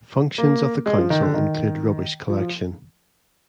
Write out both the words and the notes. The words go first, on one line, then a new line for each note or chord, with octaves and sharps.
Functions of the council include rubbish collection.
A#3
G#3
F3
D#3
D3
D#3
F3
F3